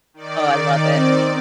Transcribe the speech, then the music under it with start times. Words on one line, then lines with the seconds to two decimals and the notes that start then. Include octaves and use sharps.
Oh, I love it.
0.14 D#3 D5
0.95 C4